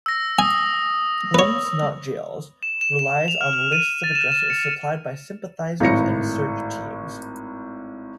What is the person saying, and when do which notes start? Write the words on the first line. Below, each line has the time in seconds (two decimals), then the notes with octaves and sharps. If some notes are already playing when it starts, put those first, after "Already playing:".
Homes Not Jails relies on lists of addresses supplied by sympathizers and search teams.
0.06 E6 A#6
0.39 G#5 D#6 E6
1.34 B4 C#5
2.63 E7
2.81 E7
2.99 E7
3.28 F7
3.41 F6
3.53 F6
3.72 D#7
4.04 A6
4.15 E7
4.32 E7
4.50 C#7
5.80 G#1 A2 A#6 C#7